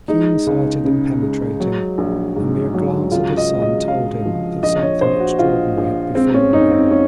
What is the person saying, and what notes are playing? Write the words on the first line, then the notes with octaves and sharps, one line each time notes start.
Keen-sighted and penetrating, a mere glance at his son told him that something extraordinary had befallen him.
G#3 D#4
C#2
C#3
G#3
F#3
A#1
G#2
F#3
C#2 F4
D#5
G#3
D#5
G#3 F5
F3
A#1 D#5
C#5
A#1 C5
F#4
A#1 F4
A#1
G#3 C4
C#4
F#2 D#4
C4
C#4